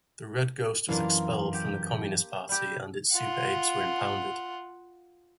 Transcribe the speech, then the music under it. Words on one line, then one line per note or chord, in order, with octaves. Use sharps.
The Red Ghost was expelled from the Communist Party and his Super-Apes were impounded.
F#2 E3 A#3 D4 F4
G4
G3 G4
F4 F#5